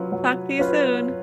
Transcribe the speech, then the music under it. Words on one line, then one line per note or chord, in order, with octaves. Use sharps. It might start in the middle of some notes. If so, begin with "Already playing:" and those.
Talk to you soon.
Already playing: F#3 C#4 F4 B4
F#3
C#4 F4 B4